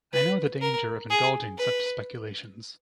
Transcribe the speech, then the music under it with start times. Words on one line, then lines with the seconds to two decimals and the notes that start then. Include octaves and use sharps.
I know the danger of indulging such speculations.
0.13 B4
0.61 A#4
1.10 G#4
1.58 B4